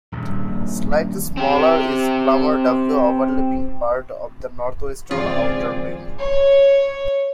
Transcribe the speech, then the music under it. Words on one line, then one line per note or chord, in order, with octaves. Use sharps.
Slightly smaller is Plummer W overlapping part of the northwestern outer rim.
D#1 A#1
C4 G4
G#1 F2 C#3 C4 F4 G#4 D5
C#5